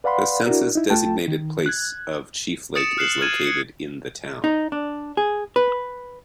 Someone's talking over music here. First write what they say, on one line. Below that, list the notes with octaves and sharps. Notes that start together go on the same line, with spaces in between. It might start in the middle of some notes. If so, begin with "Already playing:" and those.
The census-designated place of Chief Lake is located in the town.
B4 D5 F5 F#5 B5 C6
D4 E4 F#4 A#4 D5
D#4 E4
C2 A3 F4 G5 A5
D#3
F#6 G#6
D#6 A6 C#7 D7 E7
F6 F#6 C7 E7 F#7
F6 G#6 D#7 E7
C#7
D#4
D4
G#4
B4